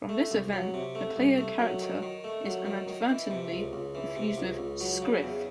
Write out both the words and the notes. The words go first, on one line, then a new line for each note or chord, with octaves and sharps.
From this event, the player character is inadvertently infused with "scriff".
A3
C2
F#3
C3
A3
C2
A3
F#3
D#3
D#3
A3
F#3
D#3
D#3
E3
C3
C#2
C#2
E3
C3
C#2
C#2
F#3
C#3
E2